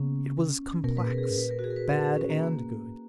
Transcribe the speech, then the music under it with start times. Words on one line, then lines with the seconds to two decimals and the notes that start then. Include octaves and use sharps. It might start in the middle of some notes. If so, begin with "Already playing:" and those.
It was complex; bad and good.
Already playing: C#3 A#3 B3 C#4
0.84 B2 A#4
0.97 A#2 B4
1.05 G#4
1.10 B2 A#4
1.18 G#4
1.23 A#4
1.30 G#2
1.37 A#2 B4
1.51 A#4
1.59 F#4
1.64 G#4
1.70 A#4
1.76 B4
1.90 A#4
2.03 G#4
2.17 C#4
2.30 A#3
2.42 C#3 A#3
2.55 B2
2.69 A#2
2.82 G#2